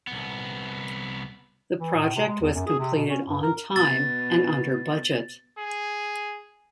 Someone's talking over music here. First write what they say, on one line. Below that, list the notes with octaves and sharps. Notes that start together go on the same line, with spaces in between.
The project was completed on time and under budget.
C2 B3
E3
A2
C3
G#3
E2
F#2
G#4
C3
B2
C#4
G2
A#4
B2 A6
G#4